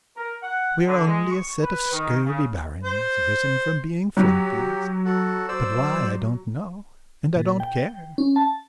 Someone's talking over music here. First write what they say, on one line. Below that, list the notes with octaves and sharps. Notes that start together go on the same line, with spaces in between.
We are only a set of scurvy barons, risen from being flunkeys, but why I don't know and I don't care.
A#4
F#5
D3
G#3
C#6
B4
D#3
C#3
C5
F#3 G4
F#4 A4
C5 D5 E6
A#2
G5
C#4
A5